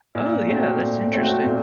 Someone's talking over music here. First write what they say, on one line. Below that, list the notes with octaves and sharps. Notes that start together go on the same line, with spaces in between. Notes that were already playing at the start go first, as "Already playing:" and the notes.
Oh, yeah, that's interesting.
A#2
A3 C4 F#4
A#2
A3 C4 F#4
A#2